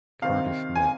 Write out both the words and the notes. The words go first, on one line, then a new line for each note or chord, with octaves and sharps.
Cardiff Met.
C3 D#3 C4 F5
G#5